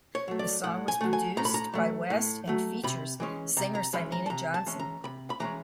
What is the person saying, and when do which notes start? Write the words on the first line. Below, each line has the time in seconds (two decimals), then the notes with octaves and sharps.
The song was produced by West and features singer Syleena Johnson.
0.15 C#5
0.28 F#3 A3
0.39 D5
0.64 A2 F#5
0.88 G#5
1.01 F#3 A3
1.13 G#5
1.37 A2 A#5
1.45 B5
1.54 A#5
1.74 F#3 A3
2.10 A2
2.47 F#3 A3
2.83 C3 B5
3.20 E3 G#3 C#4
3.57 C3 A#5
3.75 A#5
3.93 E3 G#3 C#4 B5
4.12 A#5
4.26 A5
4.30 C3 A#5
4.54 A5
4.66 E3 G#3 C#4
4.80 A#5
5.04 C3 B5
5.30 B5
5.40 E3 G#3 C#4 A#5